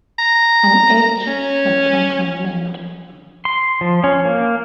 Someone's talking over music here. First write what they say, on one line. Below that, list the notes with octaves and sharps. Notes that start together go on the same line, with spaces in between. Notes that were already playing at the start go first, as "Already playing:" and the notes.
An age had come to an end.
A#5
C#4
C6
F3
C#4
A#3